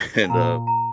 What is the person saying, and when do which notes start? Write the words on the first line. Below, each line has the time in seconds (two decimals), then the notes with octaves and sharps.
And, uh
0.24 G#5
0.29 A#2 A#5
0.67 A#5